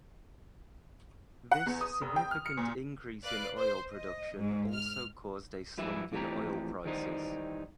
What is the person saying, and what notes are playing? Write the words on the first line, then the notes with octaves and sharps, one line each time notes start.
This significant increase in oil production also caused a slump in oil prices.
F#5
E2
D#6
F1
G5
F6
C#7
A#2
B4 D5 F5 F#6
C5
D#5
G#2
F6
F3 G3 E4 B4 E5
F2 A2 E3 F3 G4 A#5
D#3 E3 G3 D#4 C5